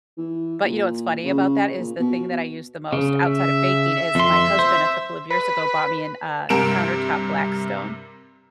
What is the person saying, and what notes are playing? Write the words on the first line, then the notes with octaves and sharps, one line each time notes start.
but you know what's funny about that is the thing that I use the most outside of baking is my husband a couple of years ago bought me an uh, a countertop Blackstone
E3
A#2
C#3
A#2
B2
C#3
E5
F2 C6
C5
B4
G2 C3 A#4 D7 E7